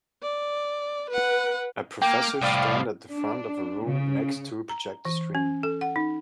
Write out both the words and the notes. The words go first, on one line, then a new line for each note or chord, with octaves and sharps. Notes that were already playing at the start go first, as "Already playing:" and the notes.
A professor stand at the front of a room next to a projector screen.
D5
B4 F#5
A#3 G5 D6 F6
C2 A2 D5 F5
D4
C#3
A#5
E3
C#4
A4
F#5
D#4